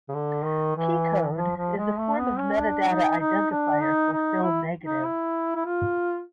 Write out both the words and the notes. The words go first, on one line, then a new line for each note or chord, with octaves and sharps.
Keykode is a form of metadata identifier for film negatives.
C#3
D3
D#3
E3
F3
F3
G#3
A3
B3
C#4
D4
D#4
D#4
D4
D#4
D#4
E4
D#4
E4
E4
F4